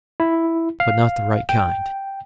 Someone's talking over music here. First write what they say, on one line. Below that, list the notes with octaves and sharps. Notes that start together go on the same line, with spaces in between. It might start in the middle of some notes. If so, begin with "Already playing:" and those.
But not the right kind.
E4
F5
G5